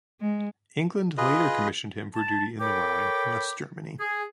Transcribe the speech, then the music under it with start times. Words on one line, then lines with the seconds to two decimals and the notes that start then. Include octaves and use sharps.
England later commissioned him for duty in the Rhine, West Germany.
0.21 G#3
1.18 F4 G#4 B4 D#5
2.15 A5
2.61 A4 A#4 C#5 G5 B5 D6
3.99 G#4